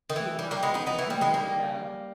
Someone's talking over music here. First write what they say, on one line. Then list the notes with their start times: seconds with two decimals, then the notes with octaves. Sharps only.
She had not forbidden him to go.
0.10 D#3
0.16 E3
0.39 G3
0.51 G3 A#3
0.63 G#3 B3
0.74 B3 D#4
0.86 B3 D#4
0.98 E3
1.10 G3
1.21 G#3 B3
1.34 G3 A#3